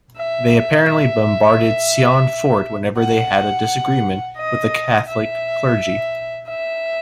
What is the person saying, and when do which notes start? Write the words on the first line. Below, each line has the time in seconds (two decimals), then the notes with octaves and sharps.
They apparently bombarded Sion Fort whenever they had a disagreement with the Catholic clergy!
0.16 E5
0.85 E5
2.97 F#5
4.37 D#5
5.08 E5
6.48 E5